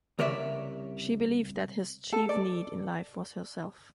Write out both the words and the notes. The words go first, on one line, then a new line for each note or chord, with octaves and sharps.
She believed that his chief need in life was herself.
C2 C#3 A#4 C#5 D5 E5
A4
D5